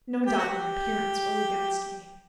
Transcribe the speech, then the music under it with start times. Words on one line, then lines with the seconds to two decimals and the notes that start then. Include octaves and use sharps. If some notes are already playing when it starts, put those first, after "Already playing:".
No doubt my appearance was against me.
0.27 G4
0.38 F#4
0.49 G4